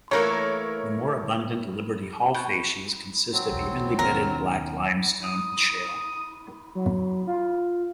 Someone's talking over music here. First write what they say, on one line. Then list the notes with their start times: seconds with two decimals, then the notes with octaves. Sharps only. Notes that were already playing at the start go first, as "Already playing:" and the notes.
The more abundant Liberty Hall facies consist of evenly bedded black limestone and shale.
0.11 E3 A3 A#3 A#4 C#5
2.34 B2
3.33 F#3 C4
3.49 B1 E2
3.99 D#2 B2 B3 C#4 D#4 A#4
5.23 D#6
6.75 F#3
7.27 F4